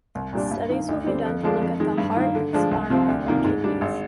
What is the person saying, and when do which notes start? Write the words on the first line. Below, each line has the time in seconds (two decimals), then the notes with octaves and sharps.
Studies will be done to look at the heart, spine and kidneys.
0.15 C2
0.33 A#2 G3 D4
0.51 G2
0.70 D#3 A#3
0.89 D2
1.06 D3 G3 C4
1.25 F2
1.43 D3 F3 G#3 D4
1.61 F2
1.80 D#3 G#3
1.98 G2
2.17 D#3 A#3
2.35 D3
2.53 F3 G#3 D4
2.71 C2
2.90 C3 F3 C4
3.09 D2
3.26 C3 D#3 A#3 F4
3.44 G#2
3.64 G3 D4
3.81 G#1